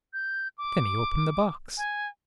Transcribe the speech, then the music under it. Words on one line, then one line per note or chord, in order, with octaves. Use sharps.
Then he opened the box.
G6
D6
G#5